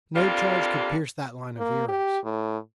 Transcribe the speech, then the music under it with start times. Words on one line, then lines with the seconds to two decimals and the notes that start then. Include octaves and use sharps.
No charge could pierce that line of heroes.
0.15 C3 G3 A#3 D4 F4 A4
1.58 A#3
1.88 G4
2.24 A2